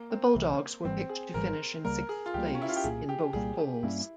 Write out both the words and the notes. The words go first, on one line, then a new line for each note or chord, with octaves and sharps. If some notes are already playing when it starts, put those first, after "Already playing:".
The Bulldogs were picked to finish in sixth place in both polls.
Already playing: A#3
C4
C2 C3 E3
G#1 G#2 E3 G3 C4
G#4
G#1 G#2 E3 G3 A#4
C#2 C#3 G3 A#3 A#4
G#4
F4
C#2 C#3 G3 A#3 G4
C#4
E4
F4
G4
C2 A#2 G3 A#3 G#4
G4
C2 A#2 G3 A#3 G#4
G4
G2 G3 A#3 C#4 E4